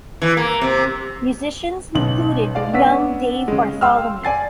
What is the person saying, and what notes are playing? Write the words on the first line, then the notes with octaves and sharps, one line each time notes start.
Musicians included young Dave Bartholomew.
E3
A#3
C3
B1 G#2 C#3 F#7
G#3 D5 F5
B3 C#4 D4 E6 B6
C#3 G#3
F5 G5 C6 E6 F6
D5 G#5 A6 C7